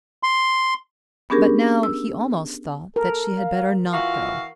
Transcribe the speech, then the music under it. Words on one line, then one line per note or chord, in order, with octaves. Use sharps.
But now he almost thought that she had better not go.
C6
B3 C#4 D4 G4 G#4 A#4
E6
A4 A#4
F5
E3 F4 F#4 F5